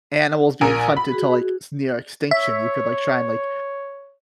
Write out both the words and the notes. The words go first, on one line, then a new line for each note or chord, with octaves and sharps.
animals being hunted to, like, s near extinction, you could, like, try and, like,
A#1 A#4 G#5
B5
F#4 G#4
C#5 E5